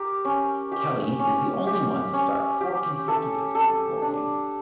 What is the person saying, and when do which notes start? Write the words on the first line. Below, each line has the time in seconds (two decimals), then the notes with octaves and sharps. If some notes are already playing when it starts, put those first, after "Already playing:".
Kelly is the only one to start four consecutive Super Bowl games.
Already playing: G4 A#4
0.25 C#4
0.72 G4
1.19 C#4
1.67 G4
2.13 C#4
2.61 G4
3.08 A4
3.55 A4
4.02 D4